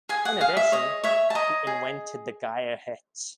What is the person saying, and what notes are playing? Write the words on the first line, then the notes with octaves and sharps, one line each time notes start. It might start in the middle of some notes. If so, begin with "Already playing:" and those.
In addition, he invented the Geier Hitch.
G#4 G#5
F#5
G#4 F5
E5
C#5 D#5
C#5 E5
A5
D#5 A#5
G#4